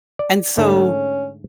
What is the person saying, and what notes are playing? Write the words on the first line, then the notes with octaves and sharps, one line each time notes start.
And so,
D5
G#2 D3 A3 C#4